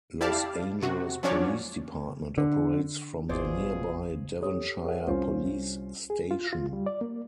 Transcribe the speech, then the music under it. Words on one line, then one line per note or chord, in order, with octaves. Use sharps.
Los Angeles Police Department operates from the nearby Devonshire Police Station.
E4 G4 D5 F5 A5
C3 F#4
F3 F#3 C#4 D4 C#5 D5
D3
G#1 B2 F4 G#4 C5 D5
G4 A4 C#5 D#6
G#4 A#4 C#5 E5 F#5
C2 C#4 F4 C5
G#4
F4
F4
G3
D5
A#3